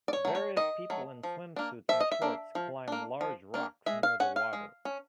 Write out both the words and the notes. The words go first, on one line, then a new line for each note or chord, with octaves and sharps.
Various people in swimsuits and shorts climb large rocks near the water.
D5
C#5
F#3 A3
C#5
D#3 D#5
F#3 A3
F3
A#3 D4
F3 E5
D#5
E5
A#3 D4
F3
A#3 D4
F3
A#3 D4
G#3 E5
F5
C#4 F#5
F5
G#3
C#4